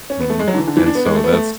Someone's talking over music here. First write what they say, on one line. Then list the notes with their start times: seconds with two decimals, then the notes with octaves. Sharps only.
Mhm, and so that's
0.10 C#4
0.20 B3
0.30 A3
0.39 G#3
0.48 F#3
0.54 D3
0.57 E3
0.67 D3
0.77 E3
0.86 D4
0.95 B3
1.05 G#3
1.15 A3
1.24 B3
1.33 A3